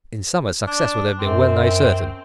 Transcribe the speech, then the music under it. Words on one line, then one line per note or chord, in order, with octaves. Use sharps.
In summer, success would have been well-nigh certain.
D4
F#2 C4